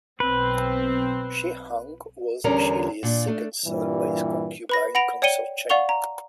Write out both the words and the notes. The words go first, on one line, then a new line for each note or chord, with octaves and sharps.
Shi Hong was Shi Le's second son, by his concubine Consort Cheng.
B1 C4 B4
E2 D3 G3 C#4 A#4
A#2 D4
A3 D4
G2 A#2 E3 G3
B4 B5 A#6
F#5 B5 A#6 D7 F7
C#5 D5 G5 C#7 D#7 G7
D5 F5 F#5 C#6 F7 G7
A#5